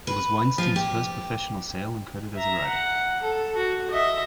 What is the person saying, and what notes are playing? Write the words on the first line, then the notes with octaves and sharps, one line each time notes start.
It was Weinstein's first professional sale and credit as a writer.
B4
F3
G4
E5 A#5
F#5
A4
F#4
D#5 E5